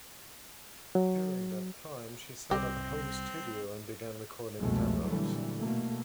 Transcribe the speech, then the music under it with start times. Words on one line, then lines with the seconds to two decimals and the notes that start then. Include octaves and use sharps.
During that time she set up a home studio and began recording demos.
0.95 F#3
2.51 C2 G3 C4 G4 A#6
4.58 C2 F2 B2 F3 G#3 A3
5.04 A#2 D3 E3 F#3 G3 A3
5.58 B2 A3 A#3